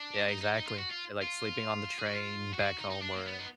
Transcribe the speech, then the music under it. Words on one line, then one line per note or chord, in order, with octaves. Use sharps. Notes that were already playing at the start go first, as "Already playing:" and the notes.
Yeah, exactly, it like sleeping on the train back home or
Already playing: D4
D#4
D#4
D#4
F4
F#4
F4
F4
G#4
F#4
F4
F#4
G#4
F#4
D#4
D#4
D4
A#3
B3
D#4